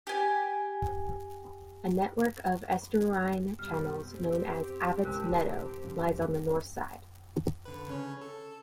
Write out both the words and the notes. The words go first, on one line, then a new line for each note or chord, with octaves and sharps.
A network of estuarine channels known as Abbotts Meadow lies on the north side.
G4 G#5
B2 G3 F6
C4 G4
B1 C#3 E3 G#3 A#4 A5 F#6
G2 C#3 F3
D3 B4
C#3 C#4 C#5
A4